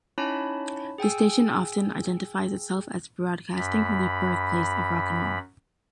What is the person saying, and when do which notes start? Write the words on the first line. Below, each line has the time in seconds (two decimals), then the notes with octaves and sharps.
The station often identifies itself as broadcasting from the birthplace of rock and roll.
0.18 C#4 D#4 E4 C#5 A5 B5
0.98 G#4 G5 G#5 E6
3.56 F#2 B5